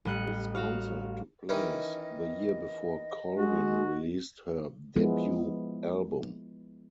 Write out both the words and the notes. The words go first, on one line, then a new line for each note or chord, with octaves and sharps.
This concert took place the year before Colvin released her debut album.
A1 G3 D#5 F#6 C#7
F#4 C#5 F5
D#3 E3 C#4 D#5
G#3 F#4
F3 G#3 B3 E4